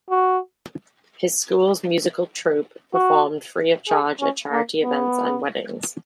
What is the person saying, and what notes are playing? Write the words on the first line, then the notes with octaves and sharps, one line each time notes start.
His school's musical troupe performed free of charge at charity events and weddings.
F#4
F#4
G#4
C#4
A#3
B3